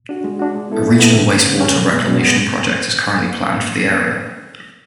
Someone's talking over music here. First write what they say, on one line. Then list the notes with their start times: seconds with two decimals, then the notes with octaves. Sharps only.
A regional wastewater reclamation project is currently planned for the area.
0.09 D4 F#4
0.24 G#3
0.39 D4 F#4
0.55 G#3
0.69 B3 E4 A4
0.84 G#3
1.00 B3 E4 A4
1.15 D3
1.30 G#3 C#4
1.46 D3
1.60 G#3 C#4
1.76 B2
1.91 G#3 B3
2.06 B2
2.21 G#3 B3